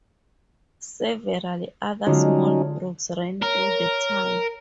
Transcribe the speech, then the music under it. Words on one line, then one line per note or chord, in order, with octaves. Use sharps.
Several other small brooks run through the town.
D3 F#3 G#3 C#4 D#4 F4
A#4 C#5